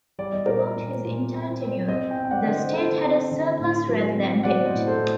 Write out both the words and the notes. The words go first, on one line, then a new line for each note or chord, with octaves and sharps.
Throughout his entire tenure, the state had a surplus rather than debt.
G3 D5
D#5
A#2 A#4 D5
A#2
A#2
C4
C4
C4 C5 D#5
D#5 G5
C4
G5
D5 F#5
D3
C5 D#5
D3 A4 C5
C4
D3
A2
F#3
C4
F#3 D5 F#5
C5 D#5
A2
A4 C5
A2